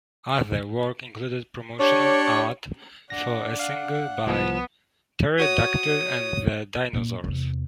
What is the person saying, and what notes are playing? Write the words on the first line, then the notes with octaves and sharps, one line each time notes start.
Other work included promotional art for a single by Terry Dactyl and the Dinosaurs.
D4 G4 C#5
D4 F#5 A#6
F5 F#5
C2 F3 B3
F#4 C#5 D#6
A#2 E4
E2 C3